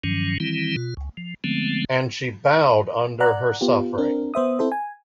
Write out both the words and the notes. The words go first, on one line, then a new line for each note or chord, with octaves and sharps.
And she bowed under her suffering.
G2 D#3 F3 F#3 C#4
D#3 E3 G3 C4 E4
B2 F4
C#2
F3
D3 F3 G#3 A3 B3 C4
D5 F#5 A#5 F#6
B3 F4 G4
C4 D4 A#4
B3 C5 E5 D#6
C4 E4 A4 C5
G#5